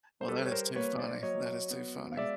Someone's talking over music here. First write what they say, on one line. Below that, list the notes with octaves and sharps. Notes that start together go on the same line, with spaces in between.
Well, that is too funny, that is too funny.
C5
G3 A4 B4
C#5
A#4 C5
A#3 B4 C#5
C5 D5
F#3 C#5 D#5
B3
F5
G#3 D5 E5